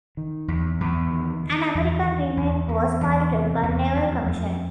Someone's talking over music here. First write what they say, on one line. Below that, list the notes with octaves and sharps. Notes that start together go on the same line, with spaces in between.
An American remake was piloted but never commissioned.
D#3
E2
E2
D#3
D#3
E2
D#3
E2
E2
E2
C3
E2
F2
F2